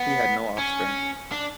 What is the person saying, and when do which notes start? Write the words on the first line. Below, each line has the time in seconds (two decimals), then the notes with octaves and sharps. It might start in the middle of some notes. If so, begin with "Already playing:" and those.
He had no offspring.
Already playing: B3
0.58 C#4
1.32 D4